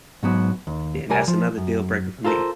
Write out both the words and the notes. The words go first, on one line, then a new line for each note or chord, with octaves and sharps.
then that's another deal breaker for me.
G#2 F#3 B3
D#2
C2 G3 A#4 G#5
F3
F#2
F4 A4 A#4 C5